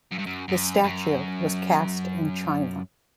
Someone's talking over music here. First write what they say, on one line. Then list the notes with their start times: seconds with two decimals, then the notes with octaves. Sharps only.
The statue was cast in China.
0.11 F#2
0.18 G2
0.26 F#2
0.48 F#2
0.84 F#2